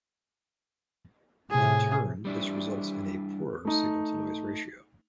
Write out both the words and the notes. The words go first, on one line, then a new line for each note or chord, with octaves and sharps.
In turn, this results in a poorer signal to noise ratio.
A2 C3 G#4
G3 D4 E4
A3 D#4